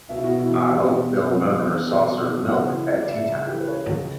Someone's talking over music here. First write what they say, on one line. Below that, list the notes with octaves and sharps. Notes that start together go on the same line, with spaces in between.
I hope they’ll remember her saucer of milk at tea-time.
B2 E5
E4
F#4
B2
E4
E2
F#4
E2 G4
B2
B2
B2
E2
E2
B2 A4
B2
B2
C#2 F#5
E3
C#2
D5
C#2 E5
C#2
E3 G4
A4
B4
C#2 C#5
C#2